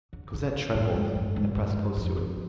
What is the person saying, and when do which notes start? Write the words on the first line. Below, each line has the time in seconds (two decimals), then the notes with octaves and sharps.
Cosette trembled and pressed close to him.
0.13 D3
0.34 C#3
0.74 A2
0.94 G#2
1.15 G2
1.36 G#2
1.56 G2
1.97 F2
2.17 F2